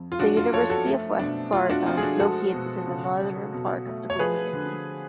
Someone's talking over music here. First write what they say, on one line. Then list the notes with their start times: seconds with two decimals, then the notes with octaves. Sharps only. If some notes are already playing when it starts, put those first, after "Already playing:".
The University of West Florida is located in the northern part of the community.
Already playing: F2
0.12 F4
0.19 F#2 D4 F#4
0.37 F4
0.53 F3 A4 C#5
0.70 F#4 A4
0.86 A3
1.19 B2 D4
1.53 A3 F4
1.70 D4 F#4
1.86 F3 F4
1.97 G#4
2.03 D4 F#4
2.20 G#3 F#4 A4
2.53 B2
2.87 C#3
3.20 F#3
3.53 B2
3.86 A3
4.10 C#5
4.19 F3 G#4 B4
4.53 D3